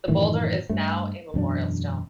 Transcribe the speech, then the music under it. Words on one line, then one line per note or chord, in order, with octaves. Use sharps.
The boulder is now a memorial stone.
F#2 A2 D#3 E3
G2 A3
E1 F#2 C4 D4